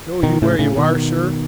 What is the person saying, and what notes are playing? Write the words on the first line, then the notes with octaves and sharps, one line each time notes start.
Know you where you are, sir?
B2 D#3
A2 C#3
A2 C#3
B2 D#3